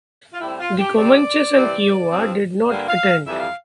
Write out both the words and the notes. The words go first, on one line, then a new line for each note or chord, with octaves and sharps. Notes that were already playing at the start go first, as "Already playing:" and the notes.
The Comanches and Kiowa did not attend.
F4
A2 G3 C4 E4
F4
G4
C3 G3 C4 D5
C3 E3 G3 C4
G2 F3 C4
G2 D3 G3 A#3 F5
F5
F2 E3 G3 E5
F5